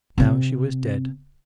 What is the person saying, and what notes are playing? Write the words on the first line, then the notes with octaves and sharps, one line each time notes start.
Now she was dead.
C3 C4